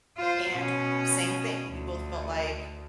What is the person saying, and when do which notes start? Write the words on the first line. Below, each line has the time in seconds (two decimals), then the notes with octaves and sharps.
And same thing, we both felt like
0.17 F4 C5
0.52 B2 C#4
1.68 D2